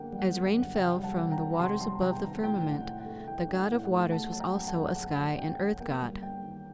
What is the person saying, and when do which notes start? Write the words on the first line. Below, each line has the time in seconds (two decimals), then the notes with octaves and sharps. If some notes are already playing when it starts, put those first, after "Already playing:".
As rain fell from "the waters above the firmament", the god of waters was also a sky and earth god.
Already playing: F#2 D3 A#3 F#5 G5
0.12 G3
0.19 F#5
0.33 F#2
0.47 F#5
0.54 D3
0.75 C3 G5
0.96 G3
1.03 F#5 A5
1.17 C3
1.31 G5 A#5
1.38 D#3
1.54 A#5
1.59 C3 A5 C6
1.80 G3 A5 C6
2.01 C3 G5 A#5
2.23 D#3
2.43 A2 G5
2.65 D4
2.72 F#5
2.85 A2
3.00 F#5
3.06 A3
3.27 A2 G5
3.49 D4
3.56 F#5
3.70 A2
3.84 F#5
3.91 A3
4.11 A3 F#5 A5
4.32 F#3 A5
4.40 G5 A#5
4.54 F#2
4.68 F#5 A5
4.75 D3
4.95 A3 F#5
5.17 F#3
5.38 F#2 G5
5.59 D3
5.80 A#3 G5
6.02 G3
6.23 G2 G5
6.44 D#3